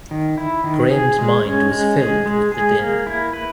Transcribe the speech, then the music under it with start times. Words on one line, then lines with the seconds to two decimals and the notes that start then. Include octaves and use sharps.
Graham’s mind was filled with the din.
0.11 D#3
0.38 E4
0.64 D#3
0.91 G#4
1.19 G#3
1.45 C#4
1.72 G#3
1.98 G#4
2.26 G#3
2.52 G#4
2.79 A#3
3.07 E4
3.33 B4